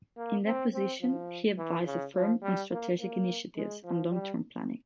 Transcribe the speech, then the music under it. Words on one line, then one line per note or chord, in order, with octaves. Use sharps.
In that position, he advised the firm on strategic initiatives and long-term planning.
A#3
C4
C4
F3
E3
C#3
F3
G3
A#3
A#3
G#3
F3
G3